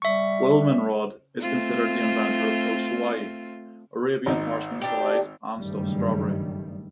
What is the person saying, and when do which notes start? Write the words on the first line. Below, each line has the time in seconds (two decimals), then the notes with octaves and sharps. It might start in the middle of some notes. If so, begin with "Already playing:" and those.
Wilmenrod is considered the inventor of Toast Hawaii, "Arabian Horseman's Delight" and "stuffed strawberry".
0.02 G3 E5 C#6
1.41 A3 C4 F4
4.26 G#1 D#4
4.81 D4 G4
5.57 F#1 G2 D#3 G3 A3